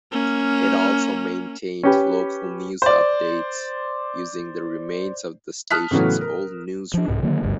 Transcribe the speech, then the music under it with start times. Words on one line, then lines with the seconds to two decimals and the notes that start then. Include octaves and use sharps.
It also maintained local news updates, using the remains of the station's old newsroom.
0.12 A#3 C#4
1.83 C#4 G4 B4
2.82 C5 D5
5.71 A5 D#6 F6 F#6 B6
5.91 A2 C#3 E3 F#3 A3 B3
6.21 A#4
6.94 F3 D4
7.08 C2 G#2
7.23 D3 D#3 F#3 A#3
7.43 G#1 D2 G2 G3